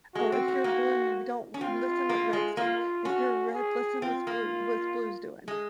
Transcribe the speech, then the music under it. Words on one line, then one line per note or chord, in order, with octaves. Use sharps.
"Oh, if you're blue, don't listen what reds done. If you're red, listen what's blue what's blue's doing,"
G#3 F#4
C4
C4
A#3
C#4
C4 F4
A#3
G#3
A#3 F4
C#4 F#4
G#4
C4 F4
A#3
G#3